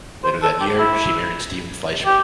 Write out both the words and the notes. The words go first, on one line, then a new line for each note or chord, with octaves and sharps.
Later that year, she married Steven Fleischmann.
C5
A4
G4
E4
G4